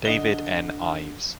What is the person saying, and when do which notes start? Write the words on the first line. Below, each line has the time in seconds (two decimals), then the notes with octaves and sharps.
David N. Ives.
0.05 D3 D#5 G7